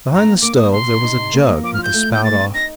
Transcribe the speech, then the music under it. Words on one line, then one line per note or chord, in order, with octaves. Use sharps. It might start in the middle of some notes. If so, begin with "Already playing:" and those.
Behind the stove there was a jug with the spout off.
G2 A#5
A#3
A#3 D6
A#3 D#6
C3 C6
C3
D#4
C3
A#3
A#3
F3 D6
F6
F4
G6
A3
A#2 G6
A3 A6
C4
D#4 A#6